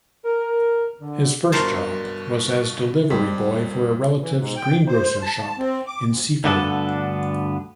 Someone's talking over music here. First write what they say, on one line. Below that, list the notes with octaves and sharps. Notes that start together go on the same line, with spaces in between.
His first job was as delivery boy for a relative's greengrocer's shop in Seaford.
A#4
D3
G2 B2 A#4 C5 A5
F2 G3 G4 B6
E3
G#2
G5
C5
A5
A5
C4
D6
D2
D2 G2 D3 B3 D4 A4